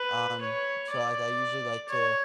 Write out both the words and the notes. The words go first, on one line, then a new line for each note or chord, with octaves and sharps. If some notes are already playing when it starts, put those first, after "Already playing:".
Um, so, like, I usually like to,
Already playing: B4
C#5
D5
C#5